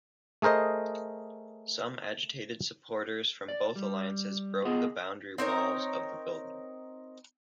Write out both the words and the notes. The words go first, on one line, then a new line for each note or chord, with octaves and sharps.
Some agitated supporters from both alliances broke the boundary walls of the building.
A3 G#4 A#4 C5 D#5
D5
G3
B3 F4 G#4 D#5 F#5
C4 D#4 A#4 C#5